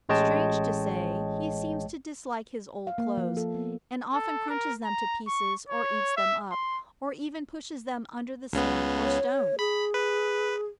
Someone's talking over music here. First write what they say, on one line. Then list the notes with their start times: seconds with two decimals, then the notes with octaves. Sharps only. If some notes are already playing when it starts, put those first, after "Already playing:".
Strange to say, he seems to dislike his old clothes, and often crunches them to pieces or eats them up, or even pushes them under the sand or stones!
0.09 A1 G#3 C#5 D#5 G5 A5
2.87 F5
2.98 A#3
3.17 F3
3.37 A4
3.54 B3
4.14 A4
4.50 A#4
4.84 A#5
5.27 C#6
5.69 C#5
6.17 E5
6.51 C6
8.53 C#2 C#3 B3
9.05 C#5
9.59 G#4 B5
9.94 B4